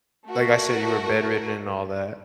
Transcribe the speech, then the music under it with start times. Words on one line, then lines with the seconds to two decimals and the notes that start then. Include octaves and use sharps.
like, I said, you were bedridden and all that.
0.28 A3 F#4 A#4